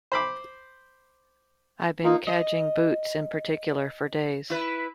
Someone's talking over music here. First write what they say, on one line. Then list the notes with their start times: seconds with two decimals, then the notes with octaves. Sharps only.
I've been cadging boots — in particular — for days.
0.12 C5 B5 D6
2.04 A#3 D#4 F4
2.27 D#5
4.50 E4 B4